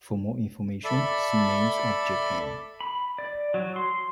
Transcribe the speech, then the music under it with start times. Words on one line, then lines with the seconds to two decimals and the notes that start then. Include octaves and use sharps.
For more information see Names of Japan.
0.84 A4 D5 E5 B5
2.81 B5
3.18 D5
3.54 F#3
3.76 C6